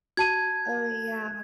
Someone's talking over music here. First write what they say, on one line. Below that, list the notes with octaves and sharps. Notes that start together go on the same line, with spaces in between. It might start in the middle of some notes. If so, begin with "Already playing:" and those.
Oh yeah.
F#4 A5 G#6 D#7